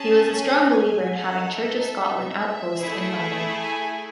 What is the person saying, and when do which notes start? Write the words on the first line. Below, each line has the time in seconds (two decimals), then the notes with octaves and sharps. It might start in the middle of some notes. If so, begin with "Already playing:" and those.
He was a strong believer in having Church of Scotland outposts in London.
Already playing: C#4 G#4 A5
0.36 G#5
1.17 D#4 A4 F#5
1.57 E5
2.79 A3 E4 G#4
3.60 G#5